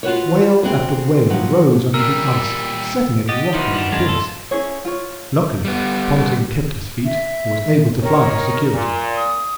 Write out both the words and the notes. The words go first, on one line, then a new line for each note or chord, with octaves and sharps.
Whale after whale rose under the ice, setting it rocking fiercely; luckily Ponting kept his feet and was able to fly to security.
F4 F#4 B4 C#5
C4 F#4 G#4
F3 F#3
A#2 G3 A#4 E6
G4 D#5 F#5 A6
D#3 F3 D#4 E4 F#4 B4
D4 G4
F#2 G#3 D4 F4
A4
C#4 E4 G#4 C#5
F4 C#5
G3 B3
E5
D#3 A#4 C#5
A#2
D#6